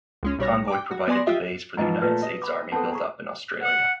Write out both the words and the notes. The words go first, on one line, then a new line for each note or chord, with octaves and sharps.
The convoy provided the base for the United States Army buildup in Australia.
C#2 G#3 C#4
B1 G3 C#5 A#6
G5 D6
F#4
B3 D5 G#5 C6 A#6
F4 G4 D#5 E5
G#2 E3 F3 D#5 G#5 A#5
A#2 A3 B4
D#5
B5 D6
B3 C4 A4 F#5 A5
G#4 A#5 C#6
F#5